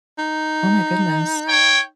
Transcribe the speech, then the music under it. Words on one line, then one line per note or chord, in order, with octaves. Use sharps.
Oh my goodness.
D#4
C#5 G5